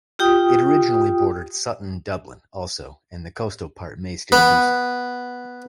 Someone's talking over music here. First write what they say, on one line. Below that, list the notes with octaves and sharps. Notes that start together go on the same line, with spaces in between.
It originally bordered Sutton, Dublin also, and the coastal part may still do so.
F4 G4 G5 D#6
B3